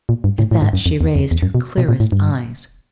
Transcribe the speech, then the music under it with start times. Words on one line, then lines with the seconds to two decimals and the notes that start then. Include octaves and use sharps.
At that she raised her clearest eyes.
0.09 A#2
0.24 G2
0.39 A2
0.51 A2
0.62 G#2
0.73 F#2
0.86 F2
1.01 E2
1.16 F2
1.31 E2
1.42 F#2
1.55 B2
1.78 B2
1.89 A#2
2.00 A2
2.12 G2